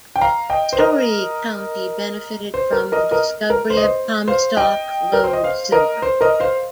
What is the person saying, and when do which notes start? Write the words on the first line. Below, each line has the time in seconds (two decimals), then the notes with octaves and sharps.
Storey County benefited from the discovery of Comstock Lode silver.
0.16 G5
0.21 F5 A#5
0.50 D#5 G5
0.73 C5
0.79 A#4 D#5
2.54 C5
2.72 A#4
2.92 A#4 D#5
3.11 A#4 D#5
3.50 A#4
3.70 C5
3.77 D#5
3.84 C5
4.28 C5 F5
4.57 D#5 G5
5.13 A#4
5.24 C5
5.33 D#5
5.43 C5 F5
5.72 A#4 D#5
6.02 C5
6.21 A#4 D#5
6.40 C5 F5